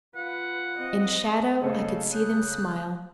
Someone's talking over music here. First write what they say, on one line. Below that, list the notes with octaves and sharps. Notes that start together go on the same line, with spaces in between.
In shadow, I could see them smile.
F4 B4 F#5
C4 D#5
C#3 A3 A#3 A4 D#5 F5
D#6 F#6 G6